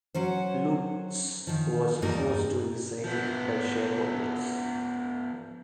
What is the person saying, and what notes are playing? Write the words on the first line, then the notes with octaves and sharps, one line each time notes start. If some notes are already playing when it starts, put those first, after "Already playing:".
Loucks was forced to resign by shareholders.
F#3 C#4 C5
D#3 F3
E2 G2 G3 A#3 D#4 A#4
F3 B3